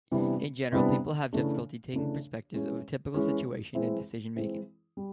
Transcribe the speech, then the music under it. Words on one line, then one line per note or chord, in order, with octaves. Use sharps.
In general, people have difficulty taking perspectives of a typical situation and decision making.
C3 E3 G3 B3 D4
C3 E3 G3 B3 D4
C#3 E3 A3 D4
C#3 E3 A3 D4
E3 G#3 C#4
E3 G#3 C#4
E3 G#3 C4 E4
E3 G#3 C4 E4
G3